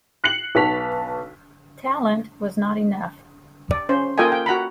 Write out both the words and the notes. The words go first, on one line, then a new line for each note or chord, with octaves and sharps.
Talent was not enough.
F#6 C7 C#7 F#7
B1 B4 A5 C#6 B6 F7
D5
C#4 C5
A#3 F4 A4 D#5 G5 G#5
G5
F#4 F#5 A#5 B5